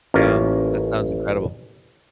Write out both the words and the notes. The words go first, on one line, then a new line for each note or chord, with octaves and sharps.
Wow, that sounds incredible.
A1 A#3 C#4 F4 A#4 D#5